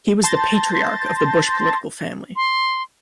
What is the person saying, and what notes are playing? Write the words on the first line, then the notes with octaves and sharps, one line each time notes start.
He was the patriarch of the Bush political family.
A5 C6 G6 A6 A#6
C6